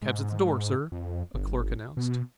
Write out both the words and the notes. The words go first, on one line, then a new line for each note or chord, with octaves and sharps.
"Cab's at the door, sir," a clerk announced.
G#2
F2
G1
B2